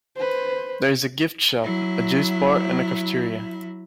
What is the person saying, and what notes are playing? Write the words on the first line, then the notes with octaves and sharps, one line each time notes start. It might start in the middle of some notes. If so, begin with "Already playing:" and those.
There is a gift shop, a juice bar and a cafeteria.
B4 C5
F#3 E4